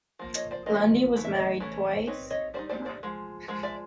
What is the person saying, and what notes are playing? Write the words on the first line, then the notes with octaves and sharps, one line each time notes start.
Lundy was married twice.
F3 A#3
C#5 D#5
C5 D5
F3 A#3 C#4 D#5
E3 A3
E5
C#5 D#5
E3 A3 C#4
G3 C4 D#4 B4 C#5
C#5 D#5
G3 C4 D#4 C5 D5
C5 D5
C5 D5
F3 G#3
F3 G#3
D5 E5